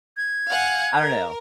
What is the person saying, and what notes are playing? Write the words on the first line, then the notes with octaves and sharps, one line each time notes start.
I don't know.
G#6
F5 F#5 G#5
A#4